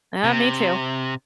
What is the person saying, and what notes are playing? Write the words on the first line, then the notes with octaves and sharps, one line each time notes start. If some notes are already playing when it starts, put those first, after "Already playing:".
Uh, me too.
C3